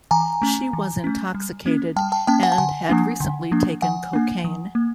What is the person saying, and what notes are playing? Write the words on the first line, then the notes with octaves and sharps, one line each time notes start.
She was intoxicated and had recently taken cocaine.
E3 G#5 A#5
A3 C#4
E3
A3 C#4
G3
A#3 C#4
G3 G5 A5
G5 A5
A#3 C#4 G5 A5
F#5 G#5
A5
D3 F#5 G#5
F3 A#3 D4
D3
F3 A#3 D4
F3 F#5 G#5
A#3 D4
F3
A#3